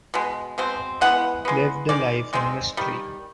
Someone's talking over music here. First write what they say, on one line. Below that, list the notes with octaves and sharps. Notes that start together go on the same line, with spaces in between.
Lived a life in mystery.
B2 G#3
B2 G#3 C4
E3 G#3 B3 F#5
E3 G#3 B3
D#3 G#3 D5
D#3 G#3 C4
D#3 G3